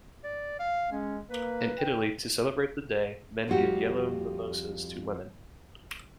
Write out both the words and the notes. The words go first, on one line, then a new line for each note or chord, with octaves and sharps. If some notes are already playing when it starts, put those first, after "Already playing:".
In Italy, to celebrate the day, men give yellow mimosas to women.
D5
F5
G#3 C#4
A#3 B4
G5
F2 F3 G3 F#4 G4